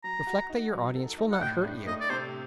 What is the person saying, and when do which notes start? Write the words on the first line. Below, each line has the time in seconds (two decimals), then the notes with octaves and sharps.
Reflect that your audience will not hurt you.
0.04 F#3 A#5
0.27 F#4
0.50 D#4
0.73 F#3
0.95 A4
1.18 D#4
1.32 F#5
1.42 A2 G5
1.64 D4
1.87 A3 D#5
2.01 D5
2.10 C3 C5